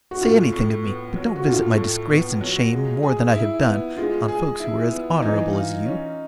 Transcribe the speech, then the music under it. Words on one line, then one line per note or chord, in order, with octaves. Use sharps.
'Say anything of me; but don't visit my disgrace and shame, more than I have done, on folks who are as honourable as you!
F#4
A2 F4
A2
B3
F#3
F#4
A2 F4
A2
B3
F#3
G#3
G#4
E4
B3
G#3 F4
G#4
E4
B3
E3 D#4
F4
C#4